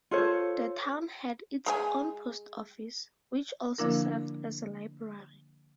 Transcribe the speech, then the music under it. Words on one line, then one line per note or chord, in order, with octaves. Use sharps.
The town had its own post office, which also served as a library.
F4 A4 C5 C#5
G#3 A#4 G#5
D3 F3 A#3 D4 E4 A#4